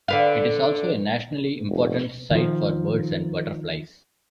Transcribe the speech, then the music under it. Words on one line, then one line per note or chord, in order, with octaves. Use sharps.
It is also a nationally important site for birds and butterflies.
D3 B4 F5
F1
D#3 F3